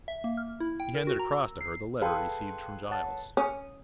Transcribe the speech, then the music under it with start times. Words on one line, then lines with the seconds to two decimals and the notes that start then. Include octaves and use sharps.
He handed across to her the letter received from Giles.
0.08 E5
0.24 A#3
0.37 F6
0.60 E4
0.80 G5
0.95 A#4
1.07 F#4
1.19 A#5
1.33 E6
1.61 C7
2.02 G#4 A4 B4 F5 G5 C6
2.90 C#5 F#5 A5
3.37 C#4 D#6